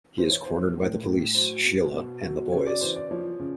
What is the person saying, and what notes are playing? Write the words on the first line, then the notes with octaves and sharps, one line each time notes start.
He is cornered by the police, Sheila, and the boys.
E3 C5
C#5
E3 C5
A2
A2
F#3 C5
B2
B2
F#3
C#3 C#5
D5
E3 C5
D5
F3 C#5
C#3